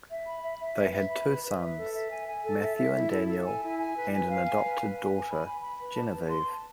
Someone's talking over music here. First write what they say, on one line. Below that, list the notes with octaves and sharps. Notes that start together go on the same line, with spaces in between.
They had two sons, Matthew and Daniel, and an adopted daughter, Genevieve.
E5
B5
E5
E5
B4
E5
B5
B4
B4
E5
A4
E5
G#5
G#5
A4
E5
E5
E4
A4
A4
G#5
E4
G#5
B4
G#5
F5
G#5
B4
B4
G#5
G#5
B5
B5
B5
B4
A5
B4
C6
A5